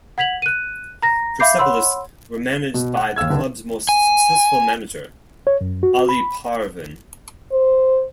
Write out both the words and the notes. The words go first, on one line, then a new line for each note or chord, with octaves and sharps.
Persepolis were managed by the club's most successful manager Ali Parvin.
F#5 G#6 B6 F7 F#7
F#6 D#7
A#5 A#6
E5 F5 B5 D6 G6 C7
C#5 F#5 B5 C6 E6
B2
F#5
D#2 F5 E6 G#6
C2 D3 D#3 B4
G#5
C#5
F#2
F#4
B5
C5